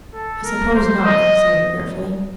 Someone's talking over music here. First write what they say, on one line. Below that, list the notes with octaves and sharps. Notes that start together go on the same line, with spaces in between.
"I suppose not," he said regretfully.
A4
A#4
C5
D#5